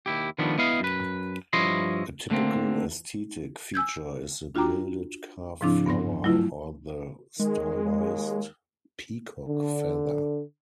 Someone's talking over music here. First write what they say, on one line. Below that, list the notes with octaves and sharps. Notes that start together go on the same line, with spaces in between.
A typical aesthetic feature is the gilded carved flower, or the stylized peacock feather.
D#2 E4 G4
D#3 F3 G3 A3 B3 D4
B3 E4 D#5 F5
F#2 B4
G2 F3 E4 C#5 D#5 C6
D3 A3 A#3 C4
G#5 E6 G6 G#6
D4 F4 F#4 G5 A#5 D6
G#2 C#3 F3 C4 D4 E4
G2 B3 C6 A#6
F#3 A3 E4 F4
D#3 G#3
D#2
D3